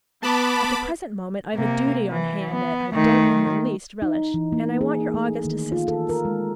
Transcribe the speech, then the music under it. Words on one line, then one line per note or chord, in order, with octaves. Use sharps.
At the present moment I've a duty on hand that I don't in the least relish, and I want your august assistance.
B3 A5 B5 D6
C3 A#3
E3
B3
D#3 A3
D#4
E3
A#3
G#4
A3
D#3
F4
A4
A#4
G#3